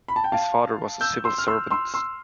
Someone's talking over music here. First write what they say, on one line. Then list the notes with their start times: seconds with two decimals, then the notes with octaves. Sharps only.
His father was a civil servant.
0.08 B5
0.16 A5
0.24 G5
0.32 F5 A5
1.01 E6 G6
1.25 C6 E6
1.38 F6
1.48 C6 E6
1.71 C6 E6
1.94 C6 E6